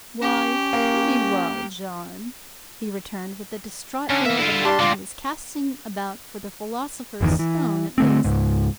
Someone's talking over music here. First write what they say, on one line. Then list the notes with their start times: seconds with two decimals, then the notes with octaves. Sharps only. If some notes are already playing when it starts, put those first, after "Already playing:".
"Why, pretty well, John," he returned, with the distraught air of a man who was casting about for the Philosopher's stone, at least.
0.22 C#4 G4
0.73 A#3
4.10 D3 C#4
4.25 E3 A#3 E5
4.38 D3 E4 F4
4.65 G3 D4 A5 C6
4.79 D3 C4 D4 F4 D5
7.21 G1 E2 D#3
7.39 E3
7.98 D3 A3 C4
8.24 C#2 G#2